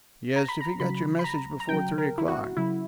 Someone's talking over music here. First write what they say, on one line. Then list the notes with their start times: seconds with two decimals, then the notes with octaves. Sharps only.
"Yes, if he got your message before three o'clock."
0.36 A#5
0.48 B5
0.61 A#5
0.80 C#3 F#3 B5
1.19 B5
1.24 A#5
1.60 A#5
1.69 C#3 F#3 G5
1.98 A#4
2.18 E4
2.28 F#4
2.57 C#3 F#3 E4